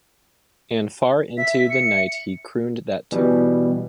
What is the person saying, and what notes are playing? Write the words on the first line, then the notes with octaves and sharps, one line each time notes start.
And far into the night he crooned that tune.
E5 B6
C#7
B2 E3 G3